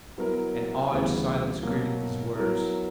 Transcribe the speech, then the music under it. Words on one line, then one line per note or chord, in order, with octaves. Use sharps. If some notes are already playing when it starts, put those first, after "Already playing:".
An awed silence greeted these words.
F#3 B3 E4 A#4
D2 C#3 E3 G3 B3
B2 F#3 A#3
F#3 B3 E4 A#4